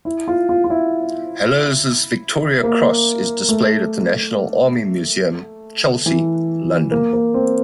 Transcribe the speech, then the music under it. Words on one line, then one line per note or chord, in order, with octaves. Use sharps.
Hallowes' Victoria Cross is displayed at the National Army Museum, Chelsea, London.
E4
F4
F4
F4
E4
A#3
A3
E3
A#3
A#3
C4